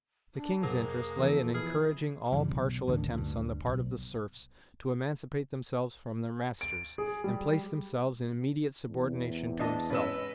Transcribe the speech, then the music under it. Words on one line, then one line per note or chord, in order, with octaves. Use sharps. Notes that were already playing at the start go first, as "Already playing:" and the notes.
The king's interest lay in encouraging all partial attempts on the part of the serfs to emancipate themselves from their masters, and place themselves in immediate subordination to himself.
D4
F2 C3 F#3 A#3 G#4
E3 F3 B3 A4
E4 G#4 F6
G2 C#3 E3 G3
B1
A1 D2 D3 D#3
D2 G2
B1
D7
G#4
G3
E2 C3
D4 D#5 A5
G#2 C#4 B4 D#5 E6